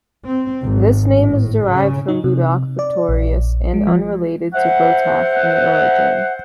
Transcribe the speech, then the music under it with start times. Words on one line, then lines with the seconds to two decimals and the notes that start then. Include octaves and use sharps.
This name is derived from "buadhach" "victorious" and unrelated to "botach" in origin.
0.25 C4
0.63 G#1
1.18 A2
1.64 C#3
2.08 D#4
2.24 C3
2.79 D5
3.09 A#1
3.74 G#3
3.87 F3
4.54 C5 E5 F#5